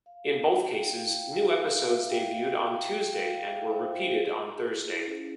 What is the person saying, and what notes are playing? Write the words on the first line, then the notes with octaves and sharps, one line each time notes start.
In both cases, new episodes debuted on Tuesday and were repeated on Thursday.
F5
G5
F5
G5
F5
E5
F5
G5
F5
G5
G5
F5
F5
E5
C5
F4
G#4
G4
G#4
G4
E4
C#4